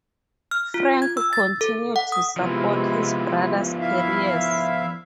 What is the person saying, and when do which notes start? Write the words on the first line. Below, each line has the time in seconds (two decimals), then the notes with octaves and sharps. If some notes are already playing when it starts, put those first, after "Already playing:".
Frank continued to support his brothers' careers.
0.51 F6
0.74 F4
1.02 G#6
1.17 E6
1.33 A6
1.61 A4
1.96 F#5
2.12 D#6
2.37 C3 F3 G#3 B3 E4
3.79 E4 E5 F5